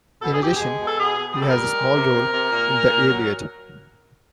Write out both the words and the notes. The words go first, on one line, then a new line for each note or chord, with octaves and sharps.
In addition, he has a small role in The "Iliad".
B2 A4
G#4
B2 G4
G#4
G#3
B2
A4
B2 G#4
B2
G#4
G3 A4
A#4
G3
G#3
C3
C3
C3
A#2
A#2
A#2
F#3